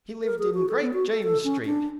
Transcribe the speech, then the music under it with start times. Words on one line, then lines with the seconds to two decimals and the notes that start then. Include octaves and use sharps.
"He lived in Great James Street."
0.24 A#4
0.39 G#4
0.54 F#4
0.69 A4
0.81 B3
0.93 F#4
1.08 A4
1.23 A4
1.44 C#4
1.65 D4